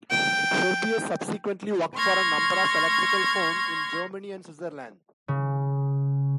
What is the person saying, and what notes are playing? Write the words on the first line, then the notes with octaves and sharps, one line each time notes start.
Scherbius subsequently worked for a number of electrical firms in Germany and Switzerland.
G5
C6 C#6 F6 G#6 A#6
C#3